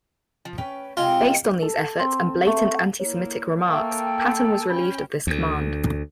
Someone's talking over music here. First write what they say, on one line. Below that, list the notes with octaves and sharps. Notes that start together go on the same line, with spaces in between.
Based on these efforts and blatant antisemitic remarks, Patton was relieved of this command.
F3
C#4 B4 G5
C3 G#3 C4 F4
A4
C4
A3
A#3 E4 C#5
A#3 A4 E5 F5 G5 C#6
C#4 G5 B5
D2